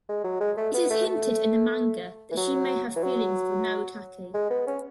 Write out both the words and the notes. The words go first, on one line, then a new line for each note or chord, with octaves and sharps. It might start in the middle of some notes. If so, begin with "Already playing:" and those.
It is hinted in the manga that she may have feelings for Narutaki.
G#3
F#3
G#3
A3
B3
A3
A3
E3
F#3
E3
F#3
G#3
B3
C#4